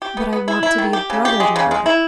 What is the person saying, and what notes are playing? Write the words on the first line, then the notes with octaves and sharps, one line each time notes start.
But I want to be a brother to her.
G4
B3
B3
E4
E4
D#3
G4
C#3
G4
G#3
C#3
G#3
E4